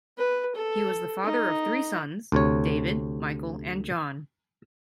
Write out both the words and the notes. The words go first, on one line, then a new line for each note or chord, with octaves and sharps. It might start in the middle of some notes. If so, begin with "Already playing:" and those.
He was the father of three sons, David, Michael, and John.
B4
A4
D#4
D2 C3 C#5